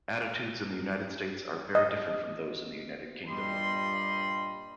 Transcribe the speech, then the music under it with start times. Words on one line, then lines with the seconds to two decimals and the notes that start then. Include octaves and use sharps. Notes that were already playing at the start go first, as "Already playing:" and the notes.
Attitudes in the United States are very different from those in the United Kingdom.
1.75 D#5
3.29 G2 A#2 G3 D#5 B5 C6